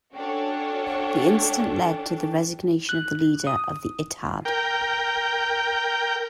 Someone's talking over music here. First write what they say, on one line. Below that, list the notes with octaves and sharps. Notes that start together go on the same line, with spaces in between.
The incident led to the resignation of the leader of the "Ittehad".
C#4 D4 F#4 A4 C#5 G5
F#6
D#6
A#4 G5